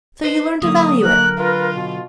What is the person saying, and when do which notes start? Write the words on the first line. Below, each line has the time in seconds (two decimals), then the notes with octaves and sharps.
So you learn to value it.
0.24 B4 C5 D#5
0.62 D3 F#3 A#3 D#6
1.04 A#3 A#4 F#6
1.39 F4 B4
1.74 B2